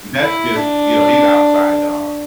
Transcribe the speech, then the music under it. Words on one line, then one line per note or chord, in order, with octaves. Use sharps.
That's just you know, he's outside dog.
E4
D4